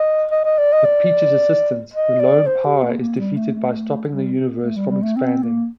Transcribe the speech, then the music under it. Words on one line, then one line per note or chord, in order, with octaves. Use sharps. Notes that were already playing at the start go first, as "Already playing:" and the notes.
With Peach's assistance, the Lone Power is defeated by stopping the universe from expanding.
Already playing: D#5
D#5
D#5
D5
D#5
D5
D#5
D5
C5
G4
A#3
A#3
G3
A3
A3
G3
A3
G3
G3
A3
C4
A#3